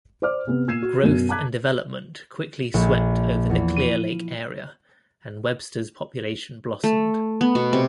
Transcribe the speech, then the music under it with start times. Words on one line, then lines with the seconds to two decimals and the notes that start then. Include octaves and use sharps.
Growth and development quickly swept over the Clear Lake Area, and Webster's population blossomed.
0.22 C5 D5 D6 F6
0.47 C3 B3
0.68 A#2 E6 G#6 C7 D#7 E7
0.82 F#4
1.03 F#2 B2 B3 D#7
1.29 A5 A#5 D6 F#6 G#6 B6
2.74 A#1
3.50 E2
3.76 D#7
6.84 A3
7.41 B3
7.55 B2
7.73 C3